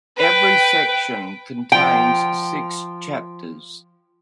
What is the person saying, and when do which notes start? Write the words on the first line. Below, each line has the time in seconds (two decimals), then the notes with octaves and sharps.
Every section contains six chapters.
0.18 B4 G5
1.72 F3 G5